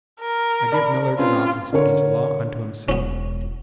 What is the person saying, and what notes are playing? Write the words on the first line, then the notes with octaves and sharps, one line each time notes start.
I give Millard an office but he's a law unto himself.
A#4
D5 A5 B5
C4 C#4 F4 B4
D3 A#4 C#5
E1 B3 C#4